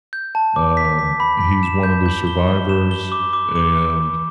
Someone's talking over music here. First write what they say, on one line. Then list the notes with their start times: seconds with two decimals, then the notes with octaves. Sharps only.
um, he's one of the survivors, and
0.13 G6
0.35 A5
0.56 D6
0.77 B6
0.99 B6
1.20 B5
1.41 B6
1.63 E7
1.83 G6
2.06 G6
2.27 G7
2.48 G7
2.69 E7
2.91 G7
3.12 D6
3.33 D6
3.56 D6